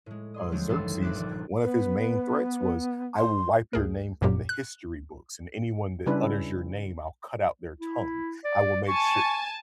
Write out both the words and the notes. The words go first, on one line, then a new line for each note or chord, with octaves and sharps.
uh, Xerxes, one of his main threats was, "I will wipe your name from the history books and anyone that utters your name, I'll cut out their tongue. I will make sure
A2 G#3
G#4 C6 D#6
D3 F3 F#3 G#3 A3 C4
G#1 C#2 F#2 E3 A4 C7
G1 E5 D6 F#6 E7
D#1 A#1 D5
B3 B4
C6
D2 G#4 A#4
G1 F#2 A#2 F#3 G4
F#6
C#3 G3 C#4 D4 E4 B4
E4
D5
G#5 A5 C#6